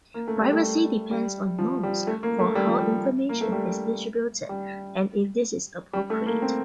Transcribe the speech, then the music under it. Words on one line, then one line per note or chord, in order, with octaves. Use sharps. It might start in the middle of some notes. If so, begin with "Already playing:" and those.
Privacy depends on norms for how information is distributed, and if this is appropriate.
A#3
A3
G3
A3
G3
F3
G3
A3
A#3
A3
G3
F3
G3
A#3
A3
G3
G3
G3
A3
A#3
C4